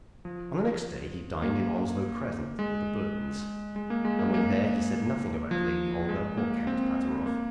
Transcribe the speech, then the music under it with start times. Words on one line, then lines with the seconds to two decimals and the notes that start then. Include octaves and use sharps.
On the next day he dined in Onslow Crescent with the Burtons, and when there he said nothing about Lady Ongar or Count Pateroff.
0.25 F3
1.42 A#3
2.59 G#3
3.76 G#3
3.90 A#3
4.05 G#3
4.19 A#3
4.34 A#3
5.51 F3
6.09 G#3
6.37 A#3
6.67 C4
7.26 A#3